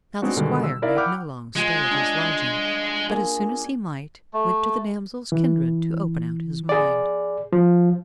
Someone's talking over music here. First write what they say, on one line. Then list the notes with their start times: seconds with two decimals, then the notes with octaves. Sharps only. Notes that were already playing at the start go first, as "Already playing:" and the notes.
Now the squire made no long stay at his lodging, but as soon as he might, went to the damsel's kindred to open out his mind.
0.22 G#3 B3 C4 D4 D#4 F#4
0.36 G2 B2 D3 D#3 G3 G#3
0.64 E6
0.82 D#4 E4 A#4 D5 E5 F5
0.97 F#5 G5 B5 D6 F6 G6
1.56 G#3 F4 G#4 C#5
1.91 D4 G#4
3.09 A#3 G#4
4.33 A3
5.32 E3
6.69 G#4 D5
7.53 F3